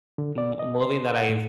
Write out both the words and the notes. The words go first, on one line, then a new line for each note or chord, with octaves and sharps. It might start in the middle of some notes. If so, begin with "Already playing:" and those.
m movie that I've
D3
D5
D#5
C6
F#5
A2